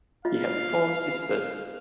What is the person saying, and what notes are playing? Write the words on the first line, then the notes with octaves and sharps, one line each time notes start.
He had four sisters.
F4 D#5 F5